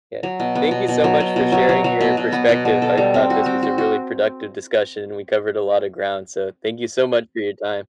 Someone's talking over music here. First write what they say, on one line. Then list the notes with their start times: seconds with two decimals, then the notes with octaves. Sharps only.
Yeah. Thank you so much for sharing your perspective. I thought this was a really productive discussion; we covered a lot of ground, so thank you so much for your time.
0.23 F#3
0.40 B2
0.55 B3
0.71 B2
0.88 B2
1.04 F#3
1.20 B2
1.36 B2
1.52 F#3
1.69 F#3
1.84 F#3
2.01 B2
2.17 B2
2.33 B3
2.49 B2
2.65 B2
2.82 A4
2.97 G3
3.14 C4
3.30 F#4
3.46 C4
3.63 F#4
3.78 F#4